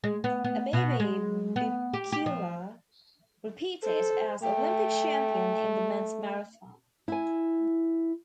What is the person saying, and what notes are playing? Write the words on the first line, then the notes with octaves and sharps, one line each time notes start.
Abebe Bikila repeated as Olympic champion in the men's marathon.
G#3
B3
B3
B2
G#3
B3
G4
G4
F3
A4 C5
A3 G5
E4 G#5